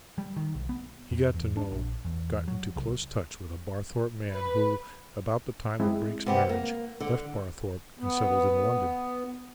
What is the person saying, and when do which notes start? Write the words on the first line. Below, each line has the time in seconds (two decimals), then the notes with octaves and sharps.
He got to know--got into close touch with a Barthorpe man who, about the time of Brake's marriage, left Barthorpe end settled in London.
0.18 G3
0.37 D#3
0.55 B1
0.69 B3
1.11 F2
1.34 E2
1.57 D4
1.71 A#1
2.05 E2
2.48 F#3
2.76 C2
4.31 B4
5.80 G#3 C4 E4
6.26 C3 B3 G4
6.49 A#3
7.00 D3
7.99 B3